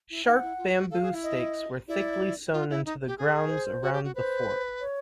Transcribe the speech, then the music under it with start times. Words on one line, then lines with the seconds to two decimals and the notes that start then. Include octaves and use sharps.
Sharp bamboo stakes were thickly sown into the grounds around the fort.
0.10 E4
0.26 D#4 F#5
0.42 E4
0.58 F4
0.75 F#4
0.91 A4 F5
1.02 G#4
1.12 E4
1.23 D#5
1.88 E4 D5
2.53 F4
2.70 E4
2.86 D#4
3.07 G4
3.18 G#4
3.47 B4
3.51 C5
3.83 F#4
3.93 G4
4.04 F#4
4.15 B4 C5
4.81 C#5